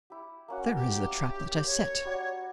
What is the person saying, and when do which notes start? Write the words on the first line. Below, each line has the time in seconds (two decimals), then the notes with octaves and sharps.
There is the trap that I set!
0.10 E4 G4
0.48 A#3 C#4 F#4
0.76 G4 G5
1.66 C#5
2.05 G3 F#4